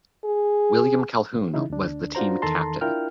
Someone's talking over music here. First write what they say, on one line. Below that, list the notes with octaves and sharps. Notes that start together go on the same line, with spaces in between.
William Calhoun was the team captain.
G#4
C#3 E3 D#4 E4
D2 D4
D4 F4 F#4 C5 A#5
E2 D#3 A4 A5 A#5 C6
D4 E4 F4 A#4 G5 F6